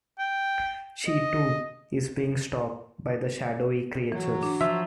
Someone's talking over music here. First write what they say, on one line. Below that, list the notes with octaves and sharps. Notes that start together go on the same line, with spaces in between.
She, too, is being stalked by the shadowy creatures.
G5
D#5
E3 F#3
D4
F3 F4 E5